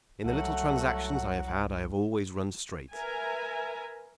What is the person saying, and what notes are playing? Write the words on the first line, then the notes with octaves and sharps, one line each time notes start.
In the little transactions I have had I have always run straight.
C2 F#3 A3 F#5
A#4 B4 E5 G#5 A#5